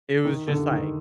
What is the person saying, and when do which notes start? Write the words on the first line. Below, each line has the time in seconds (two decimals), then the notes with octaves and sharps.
it was just, like,
0.25 D#3
0.48 D3
0.71 D#3